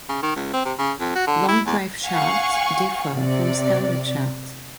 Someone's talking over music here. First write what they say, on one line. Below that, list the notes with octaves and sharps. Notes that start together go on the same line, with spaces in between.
Long drive shafts differ from standard shafts.
C#3
D#3
C#2
C4
C3
C#3
F2
F#4
D3
E4
E2
F5 F#5 G#5 C#6
C3 D5